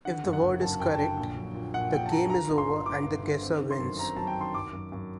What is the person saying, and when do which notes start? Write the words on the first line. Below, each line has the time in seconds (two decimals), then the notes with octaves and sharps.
If the word is correct, the game is over and the guesser wins.
0.05 D3 F#5
0.24 F#2
0.33 F#5
0.42 F#1
0.61 F#2 A5
0.80 F#2 G5
0.94 A5
0.98 D3 G5
1.17 A#1
1.37 F#3
1.54 A#2
1.74 A#1 F#5
1.92 A#1 G5
2.06 A5
2.11 A#2 A#5
2.30 D3 A#5
2.48 G1
2.58 C6
2.67 D3
2.86 D3 D6
3.04 G1
3.23 D3
3.42 C4
3.61 D#3
3.71 C6
3.79 F#2
3.99 C4 A#5
4.17 F#3 A5
4.27 G5
4.36 D#3 C6
4.54 F#2 D6
4.73 F#2
4.92 F#2